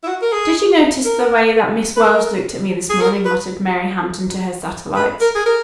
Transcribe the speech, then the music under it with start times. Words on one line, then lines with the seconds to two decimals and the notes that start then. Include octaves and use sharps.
"Did you notice the way that Miss Wells looked at me this morning?" muttered Mary Hampton to her satellites.
0.03 E4
0.07 F#4
0.22 A#4
0.32 G#4
1.05 A#4
1.97 B4
2.03 A#4
2.90 G#4
3.01 A#4
3.25 B4
4.96 B4
5.21 A#4
5.35 G#4
5.46 A#4